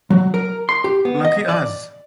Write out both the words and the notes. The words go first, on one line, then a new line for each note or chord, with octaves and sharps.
Lucky us’.
F#3
A#4
C6
G4
B3
D#5
D5